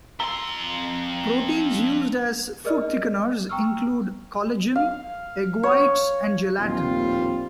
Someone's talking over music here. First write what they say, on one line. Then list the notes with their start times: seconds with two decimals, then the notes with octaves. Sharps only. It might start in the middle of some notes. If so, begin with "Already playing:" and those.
Proteins used as food thickeners include collagen, egg whites, and gelatin.
0.20 F2 A#5 C6
2.65 G#4 A#4 D5 D#5 F6
3.49 G5 A#5 C#6 E6 F6
4.75 F5
5.63 C#5
6.59 A#1 D#2 A2 G3 C4 F4